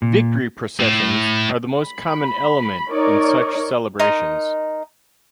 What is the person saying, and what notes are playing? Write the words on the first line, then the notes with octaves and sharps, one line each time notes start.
Victory processions are the most common element in such celebrations.
A#2
A2
B5
D#4 A#4 C#5 D5
D#4 A#4 D#5 C6